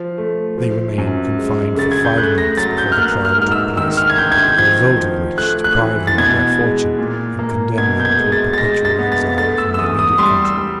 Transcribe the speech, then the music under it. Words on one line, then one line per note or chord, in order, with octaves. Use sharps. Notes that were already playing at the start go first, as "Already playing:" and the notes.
They remained confined for five months before the trial took place, the result of which deprived them of their fortune and condemned them to a perpetual exile from their native country.
Already playing: F3
A3
F3
F#2
G#3
C#3 A6
G#6
G6
A3 F#6
A#6
F#3 A6
G6
F6
A#3 F#6
F6
G#2 F6
E6
D#3 E6
F6
G#6
D#3 G6
G#6
G6
F3 G#6
F3
A3 F#6
F#6
E3
A6
B2 G#6
G#3
A#2
A#3
B2 G#6
G6
G#6
G#3
A6
A6
G#3 A#6
A6
B3
A6
A3 A6
E6
E6
E2 D#6
D#6
G3 C6
E6
G3